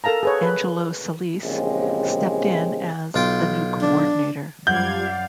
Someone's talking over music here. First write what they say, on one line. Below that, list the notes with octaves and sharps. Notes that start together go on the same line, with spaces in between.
Angelo Salese stepped in as the new coordinator.
A4 A#4 F5 A5 A#5
G#4 B4 C#5
B4
A#1 E2 C#3 G#3 C4 G4
B1 F4 G5
D4
F#2 F3 G3 D5 F5 F#5 G6 G#6